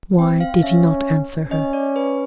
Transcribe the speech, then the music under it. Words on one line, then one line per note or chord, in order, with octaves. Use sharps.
Why did he not answer her?
C4 G5
F5
C#4 E5
C#4 D#5
D5
B4